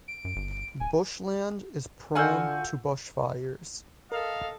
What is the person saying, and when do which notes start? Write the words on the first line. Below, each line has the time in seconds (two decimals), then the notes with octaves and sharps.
Bushland is prone to bushfires.
0.08 D7
0.25 F#2
0.36 G1
0.80 D#1 G#5
2.15 D3 F4 F#4 F#5 G#5 E6 G6
4.12 A4 A#4 D#5 F5